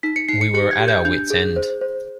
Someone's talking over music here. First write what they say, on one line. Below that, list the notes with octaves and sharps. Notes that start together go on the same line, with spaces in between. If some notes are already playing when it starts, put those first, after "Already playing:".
We were at our wits' end.
D#4 B6
C#7
D#4 C7
C#7
G4 C#7
G#6
G4
G6
D4 G6
G#4
C5
C5